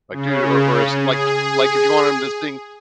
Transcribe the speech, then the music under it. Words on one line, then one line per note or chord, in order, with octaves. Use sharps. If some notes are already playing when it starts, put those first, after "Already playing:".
like, dude or or it's like like if you want him to sing
C#3
G#4